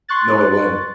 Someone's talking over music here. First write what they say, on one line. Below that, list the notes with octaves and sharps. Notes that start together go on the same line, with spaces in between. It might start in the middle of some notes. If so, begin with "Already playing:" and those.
No, it wasn't.
C6 C#6 F#6 A6